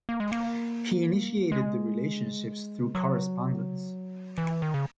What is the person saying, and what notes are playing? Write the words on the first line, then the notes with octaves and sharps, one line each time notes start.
He initiated the relationships through correspondence.
A#3
G#3
A#3
G#3
F#3
E3
D#3
C#3